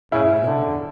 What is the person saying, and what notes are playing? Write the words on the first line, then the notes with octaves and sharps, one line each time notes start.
'Then why don't you?
C#3 E4
D3